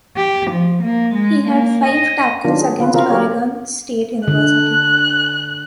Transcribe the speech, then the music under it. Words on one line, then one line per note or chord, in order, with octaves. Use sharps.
He had five tackles against Oregon State University.
G4
F3
A#3
G#3
A#3
D#5
D#3 F#3 D4 F4
G#4
D3 B3 F4 B4
C#3 E3 C4 F4 F#4 A#4
F#3 A3 G4 A#4 C#5
D3 F#6